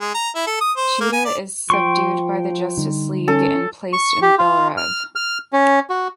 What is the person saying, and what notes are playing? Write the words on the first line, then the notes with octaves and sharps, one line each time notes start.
Cheetah is subdued by the Justice League and placed in Belle Reve.
G#3
A#5
E4
A4
D#6
C5
A#3
G#5
D5
F3 G5 C6 C#6
D3 G3 D#4
C#4 A4
C#6
G4
F4
F6
F6
C#4
F#4